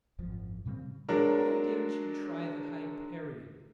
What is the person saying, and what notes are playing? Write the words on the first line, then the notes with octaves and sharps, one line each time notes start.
"Why don't you try the Hyperion?"
G#1 F#2 F3
A#2 C#3 G3 C4
F#3 G#3 D4 A#4